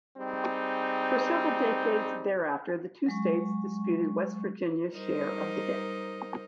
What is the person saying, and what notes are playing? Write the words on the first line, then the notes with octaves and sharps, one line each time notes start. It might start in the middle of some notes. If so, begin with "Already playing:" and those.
For several decades thereafter, the two states disputed West Virginia's share of the debt.
G3 C4 D#4 G#4
F#3 G#3 C#6
G3 D#4 A#4 C5 D#5